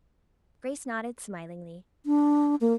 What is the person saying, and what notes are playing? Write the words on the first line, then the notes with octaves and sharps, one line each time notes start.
Grace nodded smilingly.
D4
A#3